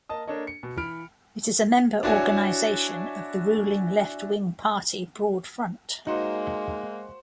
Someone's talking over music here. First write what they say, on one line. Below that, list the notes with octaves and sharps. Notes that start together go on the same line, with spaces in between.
It is a member organisation of the ruling left-wing party Broad Front.
A#3 D#5 A5 D#6
A#3 D4 A4 C#5 D#5
C#7
B2
E3 B5 F6 D7
D4 E4 F#4 C#5 G#5
G#3 A#3 D#4 F#4 C5